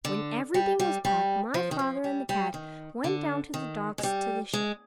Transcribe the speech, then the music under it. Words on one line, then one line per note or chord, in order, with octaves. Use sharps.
When everything was packed my father and the cat went down to the docks to the ship.
D3
G3
G3
G3
F3
D#3
F3
G3
G3
D#3
D3
D#3
G#3
G3
G#3